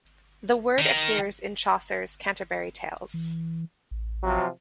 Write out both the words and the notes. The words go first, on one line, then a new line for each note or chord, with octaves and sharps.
The word appears in Chaucer's "Canterbury Tales".
D#3
E3
A1
C3 F3 F#3